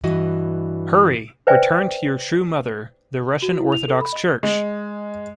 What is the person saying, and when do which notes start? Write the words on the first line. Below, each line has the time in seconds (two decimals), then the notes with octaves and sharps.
Hurry, return to your true mother, the Russian Orthodox Church!
0.04 G2 E3 F#4 D#5
1.47 B4 C5 D5 E5 G5 G#5
3.42 F#4
3.59 E4
3.72 F7
3.88 A4
4.01 B5
4.13 D#5
4.43 G#3